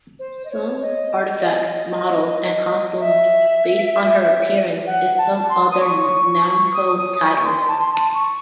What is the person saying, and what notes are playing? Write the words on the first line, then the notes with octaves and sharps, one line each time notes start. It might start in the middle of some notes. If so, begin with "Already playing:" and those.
Some artifacts, models and costumes based on her appeared in some other Namco titles.
C5
D#5
C#5
D#5
E5
F#5
A5
C6
D#6
C#6
D#6
D#6
C#6
C#6
C6
A5
C6
A5
C#6